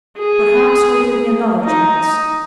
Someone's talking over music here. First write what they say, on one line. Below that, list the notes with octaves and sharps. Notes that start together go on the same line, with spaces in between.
"Perhaps you will give me another chance?"
G#4
D#4